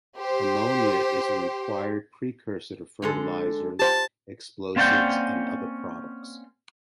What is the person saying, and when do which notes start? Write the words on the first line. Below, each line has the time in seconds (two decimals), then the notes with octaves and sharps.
Ammonia is a required precursor to fertilizers, explosives, and other products.
0.19 G4 C5
3.02 D3 G#3 A4
3.79 G4 C5 A5
4.76 A#3 C4 C#4 D5 F#5 G5